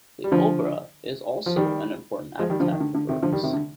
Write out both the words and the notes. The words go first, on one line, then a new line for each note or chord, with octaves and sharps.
The Obra is also an important habitat for birds.
G3
D3 F3
F3
D#3 G3
F3 G#3
D#3 G3
D3 F3
D#3
D3
D3
C3 D#3
D3 F3
D#3 G3
C3 D#3
D3